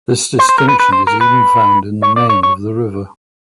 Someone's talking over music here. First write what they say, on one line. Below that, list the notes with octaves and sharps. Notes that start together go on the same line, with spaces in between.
This distinction is even found in the name of the river.
C5
C5
A#4
B4
B4
C5
A#4
B4
C#5
D5
C#5
C#5